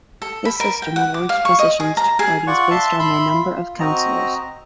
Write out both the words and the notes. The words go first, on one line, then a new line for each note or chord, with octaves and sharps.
This system awards positions to parties based on their number of councillors.
A4
B5
A#4
G5
F#5
D6
F5
C#6
D#5
G#4
A#5
G#4
F4 D5 F#5 C#6
E5 A5 C6
E5 B5 C6
F4
C4 F#4 D#5 A#5